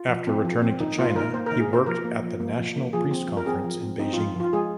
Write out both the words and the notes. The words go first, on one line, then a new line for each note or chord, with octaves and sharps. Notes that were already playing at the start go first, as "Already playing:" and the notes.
After returning to China he worked at the National Priest Conference in Beijing.
Already playing: F4
F3
C4
F3
C4
D#3 D#4
A#3 F4
D#3 A#4
A#3 C5
A#4
D#3
G#4
A#3 C5
F3 A#4
A#3
F3
A#3
F3
A#3
F3 G#4
C4
F3
A#4
C4 G#4
F3
C4
C4 D#4
F3 F4
F3 F4
G#3 G#4